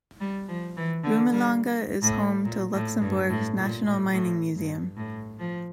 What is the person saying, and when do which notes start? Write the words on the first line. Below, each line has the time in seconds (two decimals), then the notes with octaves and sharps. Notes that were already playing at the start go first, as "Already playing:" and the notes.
Rumelange is home to Luxembourg's National Mining Museum.
0.20 G3
0.48 F3
0.77 E3
1.03 D3
1.32 G3
2.02 A2
2.44 A#2
2.73 A2
3.01 G2
3.29 A2
3.57 A#2
3.85 A2
4.12 A2
4.55 G2
4.96 A2
5.39 F3